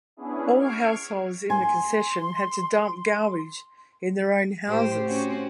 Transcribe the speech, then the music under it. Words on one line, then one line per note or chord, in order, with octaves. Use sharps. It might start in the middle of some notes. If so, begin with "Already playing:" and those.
All households in the concession had to dump garbage in their own houses.
B3 C#4 D4 E4 G#4
C#6 F6 G#6 C7 D7
G#5 C6
A2 G4 C5
C4 C#4 F#4